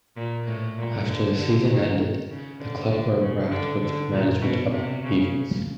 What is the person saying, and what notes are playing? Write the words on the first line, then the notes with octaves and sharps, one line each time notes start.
After the season ended, the club were wracked with management upheavals.
A#2
A2
A#2
D3
D3
D#3
C#3
D3
D3
C#3
D3
D3
A#2
B2
C3
C#3